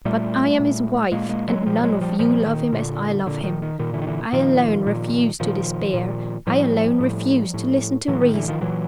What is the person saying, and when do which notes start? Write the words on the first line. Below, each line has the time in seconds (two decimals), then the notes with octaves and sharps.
But I am his wife; and none of you love him as I love him. I alone refuse to despair; I alone refuse to listen to reason.
0.05 A#2 G3 A3
0.59 A#2
1.12 A#2 G#3 A#3
1.29 G#3 A#3
1.48 F#3 G#3
1.66 A#2 F3 G3
1.83 F#3 G#3
2.01 F3 G3
2.19 A#2 F3 G3
2.46 D#3
2.73 A#2 D3
3.26 A#2 D3
3.44 D#3
3.62 D#3
3.79 A#2 D#3
3.93 D3 E3
4.02 D#3
4.07 D3 E3
4.33 A#2 D#3 F3
4.87 A#2
5.40 A#2 D#3 F3
5.94 A#2
6.47 A2 F3 G3
7.00 A2
7.54 A2
8.08 A2 E3 F#3
8.21 D#3
8.34 D3 E3
8.48 D#3 F3
8.61 A#2 E3 F#3